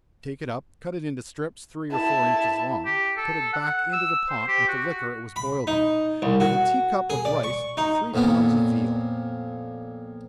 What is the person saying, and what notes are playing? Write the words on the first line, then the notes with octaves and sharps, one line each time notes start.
Take it up, cut it into strips three or four inches long, put it back into the pot, with the liquor it was boiled in, with a tea cup of rice to three pounds of veal.
E4 A5
G4
A4
F#5
E6
C5
G4
F#4
B5
D#4
C2
F#4
G#4
D5
C#6
D#4
F2 A#2 A#3 B3 C#4